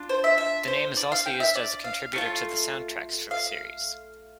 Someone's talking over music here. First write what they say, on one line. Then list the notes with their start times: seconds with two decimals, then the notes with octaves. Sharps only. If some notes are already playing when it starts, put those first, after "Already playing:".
The name is also used as a contributor to the soundtracks for the series.
Already playing: D4 F4
0.09 C5
0.24 E5
0.38 E5
0.68 C5
0.97 D5
1.12 F5
1.26 G5
1.40 E5
1.55 D5
1.84 F5
2.13 A3 D4 F4
3.31 F5